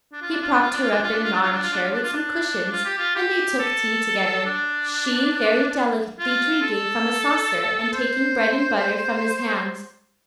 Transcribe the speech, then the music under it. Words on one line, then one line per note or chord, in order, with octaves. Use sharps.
He propped her up in an armchair with some cushions, and they took tea together, she very delicately drinking from a saucer and taking bread and butter from his hands.
D4
F4
D4
F4
D4
F4
D4
F4
D4
F4
D4
F4
D4
F4
D4
F4
D4
F4
D4
F4
D4
F4
G4
F4
G4
A4
D4
F4
A4
C5